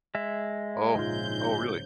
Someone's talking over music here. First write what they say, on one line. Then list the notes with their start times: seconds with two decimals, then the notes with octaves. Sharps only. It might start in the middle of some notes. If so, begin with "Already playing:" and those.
Oh, y oh, really?
0.15 G#3 E5
0.95 A#1 G#2 C#3 D#4 F4 G6